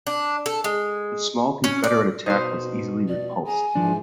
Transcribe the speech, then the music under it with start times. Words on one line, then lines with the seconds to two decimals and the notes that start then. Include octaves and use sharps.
The small Confederate attack was easily repulsed.
0.07 D4
0.46 A4
0.64 G#3
1.64 C#4
1.84 D5
2.26 B2 D#4 C5
3.08 D5
3.47 G#4 G#5 A#5
3.75 G#2 E3 F3 D4